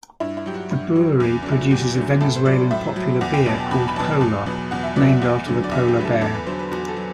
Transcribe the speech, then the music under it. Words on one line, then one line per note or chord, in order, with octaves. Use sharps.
The brewery produces a Venezuelan popular beer called Polar, named after the polar bear.
G2 E4
E4
F#3 G4
F#4
G2
F#3
E2
D3 F#3 D4
E4
F#4
E2 G4
D3 F#3
A2 A4
C5
F#3 D5
A2 E5
F#3
E2 F#5
G5
B2 F#3 A5
A5
E2 B5
B5
B2 F#3 A5
E2
B2 F#3
E2 F#5
E5
B2 F#3 D5
E5
E2 F#5
D3 F#3
D5
E2 E5
G4
D3 F#3 A4 B4
E2 A4
B4
D3 F#3 C5
B4
E2 F#4
A4
F#3